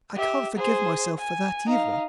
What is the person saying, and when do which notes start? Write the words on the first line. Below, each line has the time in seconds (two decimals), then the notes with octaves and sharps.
I can't forgive myself for that, either.
0.16 G4 E5
0.57 G#4 C5
1.19 G#5
1.66 D#4 F5